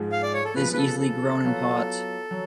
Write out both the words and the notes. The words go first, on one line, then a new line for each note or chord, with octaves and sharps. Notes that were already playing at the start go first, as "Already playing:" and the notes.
It is easily grown in pots.
Already playing: G#2 F3 G#3
F5
D5
C#5
A4
C#3 F3 B3 B4
B4
A4
A4
F#3 B3 F4
F#3